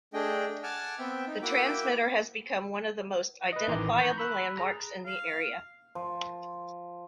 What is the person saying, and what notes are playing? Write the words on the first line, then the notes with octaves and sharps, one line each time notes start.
The transmitter has become one of the most identifiable landmarks in the area.
A3 D4 G#4 D#5 G5
F#5 G#5 A5 D6 F6
B3 C4 E5 G5
D#4
A#3 E4 F#4 E5 G5 D6
B4 D#5
A1 D#3 E3 A#5 C6 D6
A#5 C#6 G6
B5 E6 F#6
G#4 A#5
F5
F3